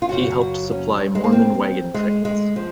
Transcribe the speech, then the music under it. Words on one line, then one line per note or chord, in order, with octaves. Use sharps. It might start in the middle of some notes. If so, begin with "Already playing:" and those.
He helped supply Mormon wagon trains.
F4
F#2 C#3 F#3 F#4
C#4
G#3
A#3
C4
G#3
G#3
F3